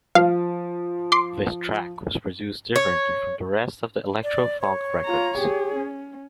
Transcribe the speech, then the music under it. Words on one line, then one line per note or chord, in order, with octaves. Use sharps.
This track was produced differently from the rest of the electro-funk records.
F3 F5
C6 D6 C7
C#5
D5
C#5
F4 A#5
G4 G#4
C#4